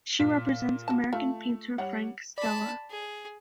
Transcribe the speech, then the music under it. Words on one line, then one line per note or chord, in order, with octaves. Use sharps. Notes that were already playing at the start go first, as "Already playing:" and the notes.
She represents American painter Frank Stella.
A#2 B6
F#4 A5
A3 F4
G3 C#5 F#5
D5 A5 B5
G#4